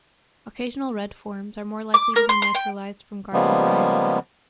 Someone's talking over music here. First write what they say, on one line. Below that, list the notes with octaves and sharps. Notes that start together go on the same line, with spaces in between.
Occasional red forms are more likely to be naturalised from garden varieties.
D6
A#4
C6
C6
G5
C#3 F3 G3 G#3 A#3 B3